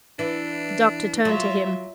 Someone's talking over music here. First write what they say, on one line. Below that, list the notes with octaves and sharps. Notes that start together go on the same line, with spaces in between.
The Doctor turned to him.
E3 D4
F#3 F4 E5